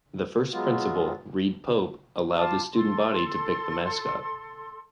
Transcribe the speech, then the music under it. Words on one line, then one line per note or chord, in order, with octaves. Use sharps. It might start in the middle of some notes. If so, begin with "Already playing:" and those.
The first principal, Reid Pope, allowed the student body to pick the mascot.
F#3 G#3 B3 F4
F4 A5 D6
A4 C6